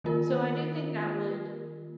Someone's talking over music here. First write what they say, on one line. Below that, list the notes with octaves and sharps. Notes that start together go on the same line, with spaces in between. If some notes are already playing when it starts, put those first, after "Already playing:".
So I do think that would
D#3 A#3 F4 A#4